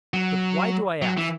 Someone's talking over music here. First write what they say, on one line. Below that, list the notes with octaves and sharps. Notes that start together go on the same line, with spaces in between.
But why do I ask?
F#3
F#3
E3